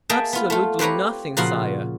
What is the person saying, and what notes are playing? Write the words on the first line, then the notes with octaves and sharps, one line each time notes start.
"Absolutely nothing, sire."
A#3 G#4 D#5 E5 G5 A5
B3 F4
A3 F4
C4 G4 B4 C#5 A#5
A#2 C#3 F3 F4 F#4 C6